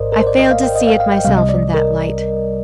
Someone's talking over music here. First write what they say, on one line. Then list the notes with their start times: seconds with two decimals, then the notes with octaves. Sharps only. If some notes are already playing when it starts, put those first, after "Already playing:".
I failed to see it myself in that light.
Already playing: G#1 G#2 A#4 C5 D5 D#5
0.12 A#4
0.19 C5
0.27 D5
0.39 D#5
0.51 F5
0.63 G5
0.76 D#5
0.87 F5
1.00 F5
1.12 G5
1.25 C2 C3 G3 F5
1.38 D#5
1.49 D5
1.74 A#4